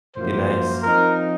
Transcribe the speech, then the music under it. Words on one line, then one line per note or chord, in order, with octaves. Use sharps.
It'd be nice.
F#2 F3 A#3 C5
F3 C4 D#4 A#4